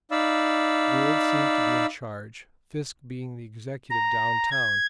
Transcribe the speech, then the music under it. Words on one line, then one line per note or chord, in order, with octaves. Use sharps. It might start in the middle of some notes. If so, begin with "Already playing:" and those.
Gould seemed to be in charge, Fisk being the executive down-town.
D#4 D5 F5 B5 E6
A#5
G#6